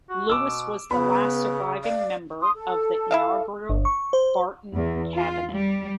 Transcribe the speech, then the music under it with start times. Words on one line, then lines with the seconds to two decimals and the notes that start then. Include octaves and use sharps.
Lewis was the last surviving member of the inaugural Barton Cabinet.
0.10 F#4
0.29 B2 D6 E6
0.91 C#3 B3 B4 B5
1.84 D5 F5
2.40 C6 D#6
2.55 A4
3.11 E4 E5 F5
3.69 G1
3.85 C#6
4.13 C5
4.77 E2
5.13 F4
5.51 G3